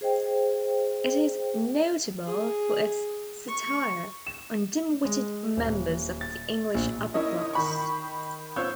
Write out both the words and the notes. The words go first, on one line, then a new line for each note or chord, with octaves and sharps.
It is notable for its satire on dim-witted members of the English upper class.
G#4 C5 D#5 G5
G#4
C#6
E7
G#3
D#1
A6
A#1
D#4 E4 A#4 C#5 D#5
D#3 B5 C#6
B3 F4 C5 C#5 E6 G6